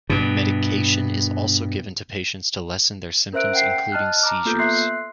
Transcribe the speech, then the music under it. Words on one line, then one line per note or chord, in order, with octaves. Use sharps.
Medication is also given to patients to lessen their symptoms including seizures.
G2 B2
C#4 A#4 C5 E5 F#6 D7
F#5 G5 C7
D#5 A5 F6 F#6
A#5 D6 F6
A#3 B3 F4 A4 G6
E5 C6 F#6 C7